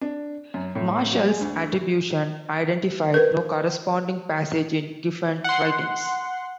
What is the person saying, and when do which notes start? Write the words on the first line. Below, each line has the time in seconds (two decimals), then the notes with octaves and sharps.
Marshall's attribution identified no corresponding passage in Giffen's writings.
0.01 D4
0.54 F#2
0.75 A2
1.13 F#3
1.27 G#3
1.41 D2
3.14 A#4 B4
5.44 F#5 C6